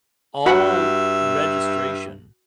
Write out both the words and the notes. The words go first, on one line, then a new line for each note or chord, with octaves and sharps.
all registration,
G2 F#4 E5 F#5 B5